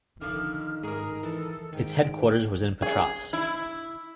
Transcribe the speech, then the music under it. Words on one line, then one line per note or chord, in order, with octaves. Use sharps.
Its headquarters was in Patras.
D3 D#3 F3 F6
G#2 G#4 A#4 A#5
E3 A4
G#2 D#3 G5
G#4
E4